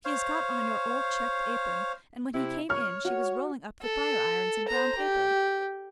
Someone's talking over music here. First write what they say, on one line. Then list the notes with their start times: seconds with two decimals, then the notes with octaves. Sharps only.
She has got on your old checked apron, and when he came in she was rolling up the fire-irons in brown paper.
0.05 C5 C#5 F5
2.34 C3 E4
2.70 C#5 F6
3.05 F#4
3.81 A4
4.68 C5 A#5
4.98 G4